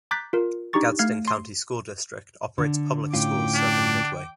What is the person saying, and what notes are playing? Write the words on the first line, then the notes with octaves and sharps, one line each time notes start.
Gadsden County School District operates public schools serving Midway.
A#5 D6 F#6 G6 A6 B6
F4 A#4
D4 D#4 G4 A#5 C#6 A6
A3 F5 F6 G#6 C7
C6
D3
A2 C#4 F4 G5 D6
D4